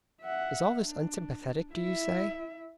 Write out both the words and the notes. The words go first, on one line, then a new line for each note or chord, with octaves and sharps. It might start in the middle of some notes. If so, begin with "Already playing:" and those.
Is all this unsympathetic, do you say?
E5 F#5
D4
E4 E5